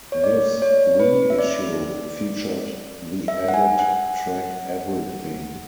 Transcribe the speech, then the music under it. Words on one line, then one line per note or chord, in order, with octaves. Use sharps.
This reissue featured the added track "Everything".
C#5
D5
C#5
B4
E5
D5
E5
F#5
G#5
F#5